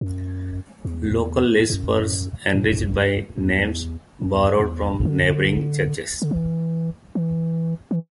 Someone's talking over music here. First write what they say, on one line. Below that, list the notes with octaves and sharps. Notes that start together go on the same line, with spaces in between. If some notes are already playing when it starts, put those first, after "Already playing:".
Local lists were enriched by names borrowed from neighbouring churches.
F#2
E2
F#2
A2
G2
F#2
G2
E2
F#2
E2
E2
D3
D3
E3
E3
E3